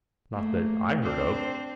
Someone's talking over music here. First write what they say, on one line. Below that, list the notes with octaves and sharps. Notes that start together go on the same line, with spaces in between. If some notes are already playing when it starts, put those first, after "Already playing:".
Not that I heard of.
A3 A#3
C4 D4 C5